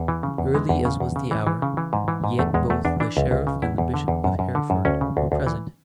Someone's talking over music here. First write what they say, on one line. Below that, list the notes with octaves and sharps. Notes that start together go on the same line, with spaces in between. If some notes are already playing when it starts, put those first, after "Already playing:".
Early as was the hour, yet both the Sheriff and the Bishop of Hereford were present.
Already playing: E2
E3
C#3
E2
E3 G#3
E2
C#3
E2
C#3
E3
E3
C#3
E3
G#2
E3
G#2
E2 A3
E2 G#3
E2 A3
E2 D4
E3 D4
C#2
C#2
C#3
E2 E4
E2
D3
E2
F#2
F#2
D3
F#2
D2 C#4
C#3
D2
D2
E3